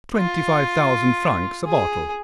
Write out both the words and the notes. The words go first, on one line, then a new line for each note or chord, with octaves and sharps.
"Twenty-five thousand francs a bottle."
F4
G#4